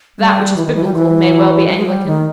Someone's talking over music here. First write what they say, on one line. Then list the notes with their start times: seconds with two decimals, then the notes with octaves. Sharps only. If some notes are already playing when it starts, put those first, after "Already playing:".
That which is biblical may well be Anglican.
0.19 G3
0.56 E3
0.65 D#3
0.75 E3
0.84 G3
0.94 E3
1.69 G3
1.77 G#3
1.86 G3
2.06 D#3